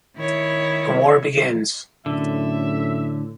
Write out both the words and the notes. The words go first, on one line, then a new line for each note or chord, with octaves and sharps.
The war begins.
D#3 E4 C#5
F#2 A2 D3 E5